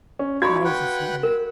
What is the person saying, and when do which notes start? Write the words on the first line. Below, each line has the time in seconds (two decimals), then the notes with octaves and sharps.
Ours is Saturday.
0.19 C#4
0.42 D#4 F#4 D5 F5 B5 C#6 G#6
0.65 B4 F#5 G5
1.23 A#4